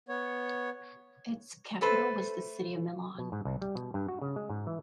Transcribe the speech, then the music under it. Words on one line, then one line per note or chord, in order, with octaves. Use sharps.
Its capital was the city of Milan.
B3 C#5
A3 A4 B4 C5
B2
G#2
C2
G3
B2
G2
F#4
C#3
G#3
G#2
E3